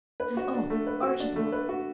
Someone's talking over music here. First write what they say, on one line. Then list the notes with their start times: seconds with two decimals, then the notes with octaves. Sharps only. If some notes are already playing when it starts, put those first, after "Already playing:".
And, oh, Archibald!
0.20 B4
0.37 F#4
0.53 D4
0.70 A3
0.87 B4
1.03 F#4
1.20 D4
1.36 A3
1.52 B4
1.69 F#4